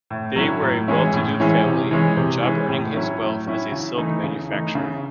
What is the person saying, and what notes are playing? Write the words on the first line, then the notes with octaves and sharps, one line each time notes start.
They were a well-to-do family, Job earning his wealth as a silk manufacturer.
A2
F#3 C#4 E4
A2
E3 G#3 C#4 E4
A2
E3 G#3 C#4 E4
C3
E3 G#3 C#4
C3
E3 G#3 C#4
A2
F#3 C#4 E4
A2
F#3 C#4 E4
C#3
E3 A3 D#4
C#3
E3 A3 D#4
C#3